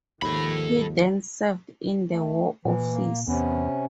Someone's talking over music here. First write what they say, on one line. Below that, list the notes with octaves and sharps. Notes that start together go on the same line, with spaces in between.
He then served in the War Office.
D#2 G#2 D#3 F3 A4 B5
A3
A#2 E3
A#3
E2 C3 B3 C#4